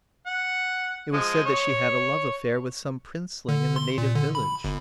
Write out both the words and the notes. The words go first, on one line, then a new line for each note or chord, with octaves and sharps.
It was said that she had a love affair with some princeling in the native village.
F#5
F3 G#3
C#5
D3
C6
A#2
D3
B5
G1